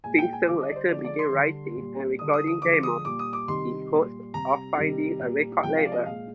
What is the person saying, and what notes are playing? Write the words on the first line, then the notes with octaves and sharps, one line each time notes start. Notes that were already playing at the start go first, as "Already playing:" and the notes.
Simpson later began writing and recording demos, in hopes of finding a record label.
A#2 G#3 G#5
G5
G#5
D3 G3 D6
D#5
D5
C5
D3 F3 G#3 D5
D5
C6
D3 G3
A#2 G3
D3 G3 D#6
D#6
D#6
D3 F3 G#3 D6
D#6
A#2 G3 D6
D#6
D6
C3 D#3 G3 C6
A#2 G3
C3 G3 A#5
C3 D#3 G3
A#2 G3
C3 F3 G#3 G5
F5
D5
D#5
A#2 G#3 F5